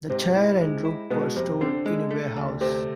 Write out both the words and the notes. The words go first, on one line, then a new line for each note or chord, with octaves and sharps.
The chair and rope were stored in a ware- house.
G#2 C3 C4
E4
G#3
E4
B2 G#3 B3
F2 C3 C4
D3 C4 D4
G#3
A3
D2
C3 A3 C4